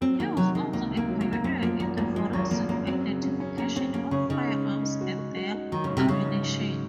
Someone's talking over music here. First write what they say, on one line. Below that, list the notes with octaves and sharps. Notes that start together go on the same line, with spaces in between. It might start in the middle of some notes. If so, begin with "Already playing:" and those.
He was also a pioneer in the forensic identification of firearms and their ammunition.
F#3 C4
D#3 A#3
C3 F#3
D#3 G#3
C#2 A#3
C3
A#3
F#3
A#3
F#3
A#3
F#2 C4
F3 A#3
G#1 A#3
G#1 A#3
F3 G#3
G#1 F#3
G#1 A#3
F#2 A#3
F#3 C4
C#3
C#4
C#4
A#3 C#4
C4 C#4
A#3 C#4
C#3 C#4
C#3 D#4
G#3
G#3
D#4
F#4
F#4
F#4
D#4
D#3 F#3
C#3
G#2
C3
G#2 C#3
G#2
G#2
F#3